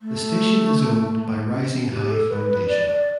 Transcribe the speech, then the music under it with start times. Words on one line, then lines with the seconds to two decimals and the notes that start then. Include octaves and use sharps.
The station is owned by Rising High Foundation.
0.02 A3
1.54 C#4
1.73 B3
1.92 G4
2.11 A4
2.30 B4
2.49 B4
2.68 D5
2.87 D5